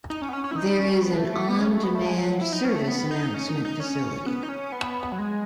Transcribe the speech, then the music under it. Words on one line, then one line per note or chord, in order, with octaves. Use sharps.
There is an on-demand service announcement facility.
D#4
C#4
B3
C#4
C#4
E4
D#4
C#4
B3
G#3
A3
A3
B3
C#4
A3
B3
A3
G#3
F#3
E4
D#4
C#4
A3
B3
D#4
C#4
D#4
D#4
C#4
B3
D#4
C#4
B3
F#3
G#3